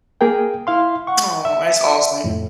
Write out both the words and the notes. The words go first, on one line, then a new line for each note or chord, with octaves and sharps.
Aw, that's awesome.
A#3 G#4 A#4 G5
E4 F5 C6
F#5 C#6
E5
F2 A2